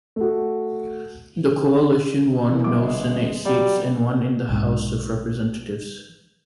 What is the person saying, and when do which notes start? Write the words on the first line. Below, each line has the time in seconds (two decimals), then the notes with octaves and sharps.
The coalition won no Senate seats and one in the House of Representatives.
0.16 A3 F#4
2.49 E3 A#4
2.64 G1 B3 D6
2.81 G#3
3.45 F#3 G3
4.49 B1 G#2